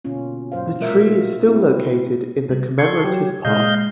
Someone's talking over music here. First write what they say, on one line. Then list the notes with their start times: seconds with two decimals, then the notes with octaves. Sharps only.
The tree is still located in the commemorative park.
0.05 B2 D3 A#3 C#4 F4
0.52 B2 F#3 C5 F5
0.80 A#2 G#3 F4 A#4 E5
1.06 G3 A#3 D#4 F#4
1.45 G#3 C4 D4 E4 F#4
2.49 C3 G3
2.79 A4 C6 C#6 G#6
3.04 F#3 G4
3.45 A#2 C#3 G#3 D#5 F5 G6